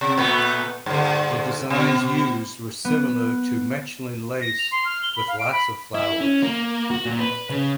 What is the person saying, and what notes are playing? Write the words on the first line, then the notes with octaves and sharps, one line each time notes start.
The designs used were similar to Mechlin lace, with lots of flowers.
C3
A#2 A3 B3
G2 A#2 D3
B2
B3
A#6
F7
C6
F6
G7
B5
F5
D7
B5
E4
C#4
A#3
F#4
A#2
B4
C#3